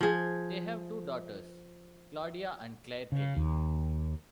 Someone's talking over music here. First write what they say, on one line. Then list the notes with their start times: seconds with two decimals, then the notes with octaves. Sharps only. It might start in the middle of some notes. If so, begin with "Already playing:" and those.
They have two daughters, Claudia and Claire Kelly.
0.01 F3 G#4
3.12 C#3
3.37 D#2